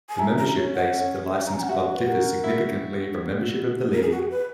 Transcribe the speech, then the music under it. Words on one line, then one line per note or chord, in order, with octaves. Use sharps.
The membership base of the licensed clubs differs significantly from membership of the League.
G#5
E4 A#5
A#5
C#4
F#5
C#4
A#5
G#5
F#5
F#4 E5
B4
F#4 A#4
E4
A#4
G#4
F#4
G#4
B4